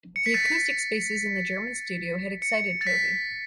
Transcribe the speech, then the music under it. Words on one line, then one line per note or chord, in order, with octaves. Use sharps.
The acoustic spaces in the German studio had excited Tovey.
C#7
B6
A6
B6
C#7
A6
B6